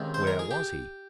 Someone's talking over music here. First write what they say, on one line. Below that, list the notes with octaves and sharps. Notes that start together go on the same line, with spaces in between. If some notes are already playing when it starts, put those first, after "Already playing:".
Where was he?
Already playing: C#2 C3 D#3
C5
A#4
G#4
G4